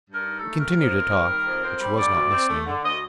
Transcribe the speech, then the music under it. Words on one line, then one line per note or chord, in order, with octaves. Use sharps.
He continued to talk, but she was not listening.
G2 A#4
D#4
A4
A3
D#3 A#4
F2
C4
G3
D#3
F2
C4
G3
D3 D5
D2
C4
A3
D3
D2 D#5